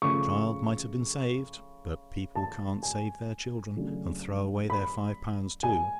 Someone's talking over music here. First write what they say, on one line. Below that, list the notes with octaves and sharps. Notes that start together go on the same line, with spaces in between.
The child might have been saved; but people can't save their children and throw away their five pounds too.
C#3 F3 A3 C#6
A5
G#5
C#3 F#3 A3 D4
B5
G#5